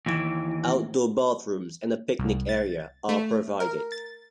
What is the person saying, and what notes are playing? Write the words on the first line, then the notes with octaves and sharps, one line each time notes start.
Outdoor bathrooms and a picnic area are provided.
D#2 E3
C2
A6
A3
A#4
A6